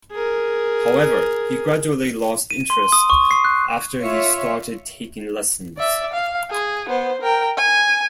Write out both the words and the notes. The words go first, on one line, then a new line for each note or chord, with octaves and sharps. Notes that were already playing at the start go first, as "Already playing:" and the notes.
However, he gradually lost interest after he started taking lessons.
G#4 A#4
D#7
C6
D#6
C#6
C7
F#6
F4 C#5 E5
D5 E5
F5
G#4
B3 C5
A#4 G5
G#5